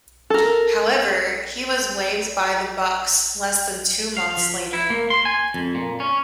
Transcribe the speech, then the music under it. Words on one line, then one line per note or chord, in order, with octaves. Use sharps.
However, he was waived by the Bucks less than two months later.
A4 A#4
F5
F3
E4
A#3
C6
G#5
F2
A#2
C#4